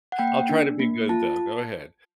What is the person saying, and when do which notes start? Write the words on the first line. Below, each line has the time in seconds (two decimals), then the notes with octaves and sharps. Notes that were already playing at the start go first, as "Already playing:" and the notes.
I'll try to be good though. Go ahead.
0.12 F#5
0.19 A#3 G5
0.49 D4
0.79 A#3
1.09 F4 A5